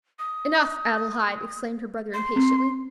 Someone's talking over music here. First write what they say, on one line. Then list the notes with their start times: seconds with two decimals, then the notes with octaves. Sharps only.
"Enough, Adelaide!" exclaimed her brother, impatiently.
0.19 D#6
2.14 C6
2.36 C4